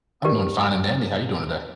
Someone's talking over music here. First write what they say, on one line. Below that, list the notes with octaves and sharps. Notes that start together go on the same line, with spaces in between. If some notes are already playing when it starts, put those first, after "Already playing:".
I'm doing fine and dandy. How you doing today?
G4 A#4 B4 D5 G5